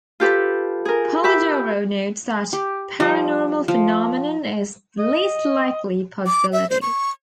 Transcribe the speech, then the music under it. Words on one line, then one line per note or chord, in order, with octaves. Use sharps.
Polidoro notes that Paranormal phenomenon is the least likely possibility.
F4 G4 A4 B4
G#4 A#4
G4 E5 B5
G4
F3 G3 D#5
F3
D#5
D6
E5
C5
C#6